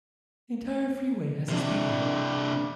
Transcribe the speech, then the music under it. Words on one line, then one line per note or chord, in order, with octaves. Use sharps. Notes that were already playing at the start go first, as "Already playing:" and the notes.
The entire freeway has a speed limit.
C3 D4